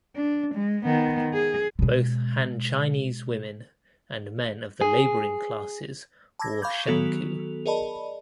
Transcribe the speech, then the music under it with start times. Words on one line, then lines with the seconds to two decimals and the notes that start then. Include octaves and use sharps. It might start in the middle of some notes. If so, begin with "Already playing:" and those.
Both Han Chinese women and men of the labouring classes wore "shanku".
0.15 D4
0.54 G#3
0.85 D#3 B3
1.33 G#4
1.79 B2 G#3
4.81 G#4
6.39 A5 B5 D6 E6 G#6 A#6
6.62 F5 B5 C#6 D6 G6 G#6
6.87 D#3 F#3 B3 F#4 A4 F7
7.66 G#4 A#4 D5 D#5 A5 B5